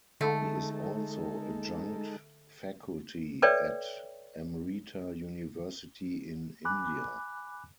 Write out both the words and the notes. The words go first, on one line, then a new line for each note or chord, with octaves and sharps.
He is also adjunct faculty at Amrita University in India.
D3 G#3 A3 D#4 A4
A4 B4 C#5 D5 E5 G5
G#5 B5 D6 F#6